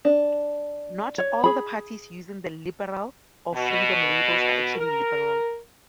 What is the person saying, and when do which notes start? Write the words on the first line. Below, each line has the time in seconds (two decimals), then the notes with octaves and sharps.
Not all the parties using the "Liberal" or "Freedom" labels are actually liberal.
0.05 D4
1.18 C#5
1.44 G#4 B5
3.53 B2
4.75 A#4